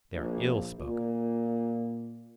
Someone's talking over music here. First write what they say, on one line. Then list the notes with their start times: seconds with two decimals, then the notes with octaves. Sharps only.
They are ill spoken.
0.13 A#1
0.79 A#2